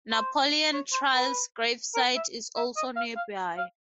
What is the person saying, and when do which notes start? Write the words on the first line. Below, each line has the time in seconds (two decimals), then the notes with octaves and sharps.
Napoleon Trails Gravesite is also nearby.
0.12 C5
0.73 C#5
0.93 C5
1.14 B4
1.95 A#4
2.16 E5
2.56 E5
2.77 D#5
2.96 F5
3.16 F5
3.57 F5